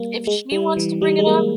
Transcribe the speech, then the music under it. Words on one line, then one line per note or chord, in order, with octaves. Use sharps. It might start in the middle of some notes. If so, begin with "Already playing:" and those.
If she wants to bring it up,
Already playing: G3 A#3
G#3
G3
E3
G3
G#3
A#3